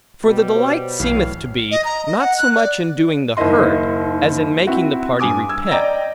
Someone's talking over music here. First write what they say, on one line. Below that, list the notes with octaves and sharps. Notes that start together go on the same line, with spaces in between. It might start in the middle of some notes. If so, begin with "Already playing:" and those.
For the delight seemeth to be, not so much in doing the hurt, as in making the party repent.
B2 G3
G4 C5 C#5
B1 F#2 A2 E3 F5
D#5
A#5
D#5
F#5
F#6
D5
F#1 D#2 A#3 E4 D#5 C6
C4 E4 F#4
G2 G#5 D6 D#6
E6 G#6
D5 D#5 G5 A#5